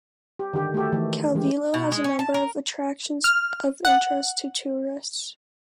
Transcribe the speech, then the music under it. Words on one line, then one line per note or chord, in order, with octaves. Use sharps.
Calvillo has a number of attractions of interest to tourists.
G4
D3 D#3 G4
A3 F#4 G4 A4
D#3 E3 A3
E3 G#3 G4
B2
G#3
C#4
A5
A#4
F6
F#5